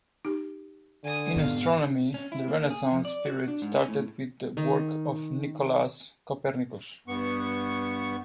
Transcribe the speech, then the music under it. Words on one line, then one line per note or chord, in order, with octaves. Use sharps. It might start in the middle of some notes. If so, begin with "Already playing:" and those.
In astronomy, the renaissance period started with the work of Nicolaus Copernicus.
D#4 G4
D3 G#5 D#6
G#2 B2 B3 F5
C#4
E4
A#3
G#4
F2
D5
F#4
D4
G#2
C#4
A2
D#3
G2 B3 C#6